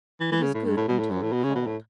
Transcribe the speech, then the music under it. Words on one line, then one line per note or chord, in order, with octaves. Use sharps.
It is good, until recalled.
E3
E3
C#3
A2
G2
A2
B2
A2
F#2
A2
B2
C#3
B2
A2